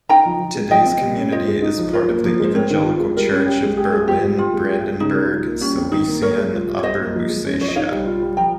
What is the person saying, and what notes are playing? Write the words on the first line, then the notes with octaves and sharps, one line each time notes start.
Today's community is part of the Evangelical Church of Berlin-Brandenburg-Silesian Upper Lusatia.
D#4 G5 A#5
F3
F3
G#3
F3 D#5 G5
C4
G3
C#4
F4 C5 D#5
G#3
D#4
F3
F4 A#4 C#5
A#3
F3
G#3 C5
C4 A#4 C#5
D#3
F4
G#3
G3 A#4
C#4
G4
G#3
G4 G#4
G#3 G#4
F4 G4
G3
F4 G4
G#3
G4
G#3
C#3 D#4
G#3
F4
A#3
G3 C#4
C4
D#3 D#4
A#3
G4 A#4 C#5
G#3
F4
G3
C#5
G3 C5 D#5
A#3
F3
G#3
C#4
C5
F3 C#5
D#5
D#4 C#5 F5
G3
F4
G3
F3 G5 A#5